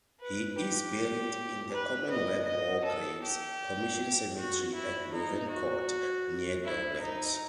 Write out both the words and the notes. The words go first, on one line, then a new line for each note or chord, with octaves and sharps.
He is buried in the Commonwealth War Graves Commission cemetery at Louvencourt, near Doullens.
B4
G4
B4
D#5
D#5
A4
G4
F#4
E4
D#4
F#4
E4
D#4